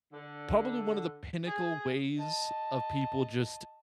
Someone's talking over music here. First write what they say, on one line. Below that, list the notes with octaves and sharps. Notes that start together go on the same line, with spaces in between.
probably one of the pinnacle ways of people just
D3
G#4
D#5 A5